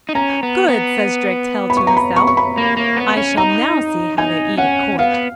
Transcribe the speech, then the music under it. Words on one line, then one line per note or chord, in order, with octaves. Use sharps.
'Good!' says Drakestail to himself, 'I shall now see how they eat at court.'
D#4
C#4 A#5
B3
B3
B5
C#6
A#5
B5
C#6
C#6
B5
A#3
A#3
B3
C#4
D#4 A#5
D#4 G#5
C#4 F#5
B3 F5